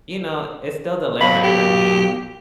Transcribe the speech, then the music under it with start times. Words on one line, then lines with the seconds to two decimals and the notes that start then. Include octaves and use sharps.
you know, it still delivers. I mean,
1.21 F#3 B3 F5 B5
1.44 G4